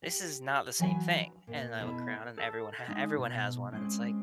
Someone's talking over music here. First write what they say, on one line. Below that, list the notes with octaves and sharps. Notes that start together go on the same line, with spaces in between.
this is not the same thing." And I look around and everyone ha everyone has one. And it's like
G4
E3 F#3 F#4 B4 G#5
A#2
B2 E4 A4
A4
G#3 D#4 G#5
B2
G#3 C4 C#4